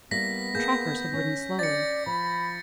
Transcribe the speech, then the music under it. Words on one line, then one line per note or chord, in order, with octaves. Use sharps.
The trackers had ridden slowly.
G3 A#3 B3 E4 A#6 B6
A#3 G#4 G6
C#4
D5 A6 C#7
F3 B5